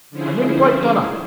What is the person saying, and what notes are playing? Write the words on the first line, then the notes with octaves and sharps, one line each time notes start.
I'm really quite done up.
D3 F3 C#4 E4 G#4 C5